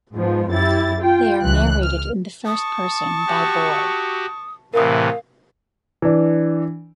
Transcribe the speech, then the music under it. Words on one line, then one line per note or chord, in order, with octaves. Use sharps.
They are narrated in the first person by Boy.
G#2 F3 B3
F#2 E4 G4 A6
F4 G5
C#2 E3 F#6
F6
A5 C#6 D#6
F#4 G4
A2 C3 E3 A#4 F5 D#6
E3 D4